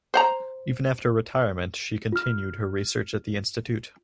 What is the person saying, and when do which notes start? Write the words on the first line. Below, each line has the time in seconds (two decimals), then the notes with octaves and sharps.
Even after retirement she continued her research at the Institute.
0.14 C5 F#5 A#5
2.12 F4 F6